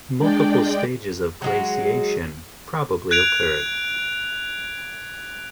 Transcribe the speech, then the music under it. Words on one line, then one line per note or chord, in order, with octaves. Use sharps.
Multiple stages of glaciation probably occurred.
G#3 D4 D5 G5
F#3 G#3 F#4
F#6 G#6 D7 F7